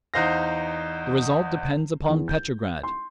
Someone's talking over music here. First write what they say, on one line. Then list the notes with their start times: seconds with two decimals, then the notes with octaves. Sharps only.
The result depends upon Petrograd.
0.14 E2 D#4 C5 F5 A#6
2.09 E2
2.28 G6
2.83 C6